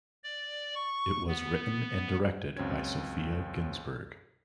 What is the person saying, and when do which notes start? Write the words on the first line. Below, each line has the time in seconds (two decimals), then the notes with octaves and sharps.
It was written and directed by Sophia Ginzburg.
0.24 D5
0.75 C#6
1.28 B3
2.57 C#2 F#2 C4 C#4 G#6